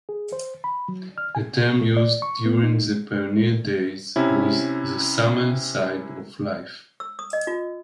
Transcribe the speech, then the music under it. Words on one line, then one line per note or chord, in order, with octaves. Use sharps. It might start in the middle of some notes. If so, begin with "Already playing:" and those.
A term used during the pioneer days was the summer side of life.
G#4
C5
B5
F#3
F6
G#5
A3
D5
C#6
B3
D#4
C3 C#4 E4
E6
D#6
D#5
F4